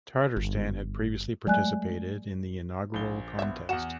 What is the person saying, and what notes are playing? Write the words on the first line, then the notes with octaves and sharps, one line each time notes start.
Tatarstan had previously participated in the inaugural contest.
G1
F#3 G#3 A3 D5 G#5 F#6
A#1 G7
B3 E5
E2 F#4 F#5 E7